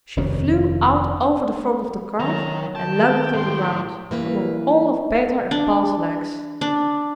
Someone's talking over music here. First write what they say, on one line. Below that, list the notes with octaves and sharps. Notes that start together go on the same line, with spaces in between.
She flew out over the front of the cart and landed on the ground, among all of Peter and Paul's legs!
F1 D#2 D#3 C#4
D#3 F#3 A#5
D#3 G5 A5
A2 C6
E3 A#3 B4
D4
D4